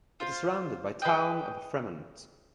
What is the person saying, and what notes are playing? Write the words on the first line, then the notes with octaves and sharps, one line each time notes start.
It is surrounded by Town of Fremont.
F4 C5 F5
G#4 B4 D#5 G5